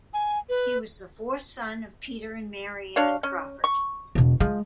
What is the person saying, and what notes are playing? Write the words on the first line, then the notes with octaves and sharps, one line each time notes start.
He was the fourth son of Peter and Mary Ann Crawford.
G#5
B4
D4 C#5 F5
C#4
C#6
E1 B2
F3 G#3